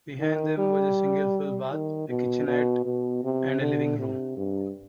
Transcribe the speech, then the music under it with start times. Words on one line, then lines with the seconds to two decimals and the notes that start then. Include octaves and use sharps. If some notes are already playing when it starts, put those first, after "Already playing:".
Behind them was a single full bath, a kitchenette, and a living room.
0.20 D#3
0.57 G3
1.72 D#3
2.09 B2
2.47 B2
2.85 B2
3.24 C3
3.61 D3
3.99 C3
4.37 G2